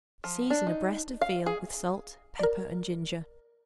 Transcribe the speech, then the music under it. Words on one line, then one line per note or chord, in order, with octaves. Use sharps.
Season a breast of veal with salt, pepper and ginger.
F3
D4
D#4
F5
G#4
A#4 D5